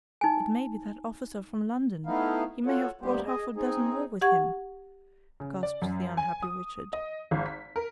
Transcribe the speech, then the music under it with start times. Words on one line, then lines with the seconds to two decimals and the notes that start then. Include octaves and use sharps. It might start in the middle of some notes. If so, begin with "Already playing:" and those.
"It may be that officer from London; he may have brought half a dozen more with him!" gasped the unhappy Richard.
0.21 D#4 G#5
2.06 A3 B3 D#4 E4 F5
2.66 F4 F#4 A4 C#5 F#5
3.01 D2 G3 A#3 B3 G4 C5
3.25 G#4 D#5
3.56 C4 D#4 G#4
4.21 G4 F#5 C#6 G#6
5.40 C#3
5.63 D5
5.82 F#2
6.17 G#5
6.42 D#6
6.93 D#5
7.31 G#1
7.46 B6
7.76 A#4